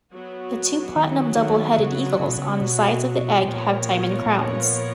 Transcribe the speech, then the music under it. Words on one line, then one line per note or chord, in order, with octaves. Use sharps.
The two platinum double-headed eagles on the sides of the egg have diamond crowns.
F#3 B3 F#4
D#3
D#3
C#3
C#3
B2
C#3
B2
A#2 F3 B3 F4 A#4 C#5
A#2